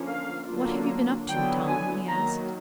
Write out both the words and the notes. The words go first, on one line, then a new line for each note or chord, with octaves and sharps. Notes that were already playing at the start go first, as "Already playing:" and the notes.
"What have you been up to, Tom?" he asked.
Already playing: D3 F3 A#3 C#4
F5
D3 F#3 A#3 D4 F4
D3 F#3 B3 E4 G5
G#5
D#3 F#3 A#3 A#5